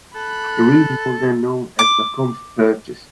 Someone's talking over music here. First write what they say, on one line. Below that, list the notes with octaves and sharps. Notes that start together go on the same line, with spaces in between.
The region was then known as Macomb's Purchase.
A4 B5 F#6
D6